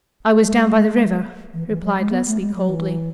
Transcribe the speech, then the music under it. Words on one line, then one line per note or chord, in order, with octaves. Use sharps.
"I was down by the river," replied Leslie coldly.
G#3
E3
E3
F#3
G#3
B3
A3
G#3
F#3
E3